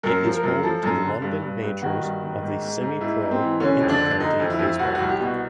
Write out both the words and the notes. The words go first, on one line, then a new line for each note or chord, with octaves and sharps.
It is home to the London Majors of the semi-pro Intercounty Baseball League.
F#2 A#4
F3
A#4
F#2
F3 A4
F#2
D3
G2
G2
G2
D#3 F#4
G2
D#3
G#2
G#2
G#2
G#2 E4
G#2
C4
E3
D3 C#4
F2
D4
D3
D3 D#4
F2
E4
F2
C2 F#4
C2 F#4
G4
B2
F#4